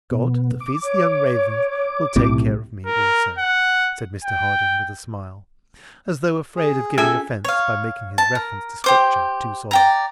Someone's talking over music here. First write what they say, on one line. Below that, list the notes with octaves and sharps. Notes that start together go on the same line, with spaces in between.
"God, that feeds the young ravens, will take care of me also," said Mr Harding, with a smile, as though afraid of giving offence by making his reference to scripture too solemn.
B2 B3
D6
C#5
B1 A2 C3
A#4
F#5
G5
G#4
C#4 F4 G#4 A4 E5 G#5
C#5 F5
A5
A#4
G4 C5 D6
D5 G5 A#5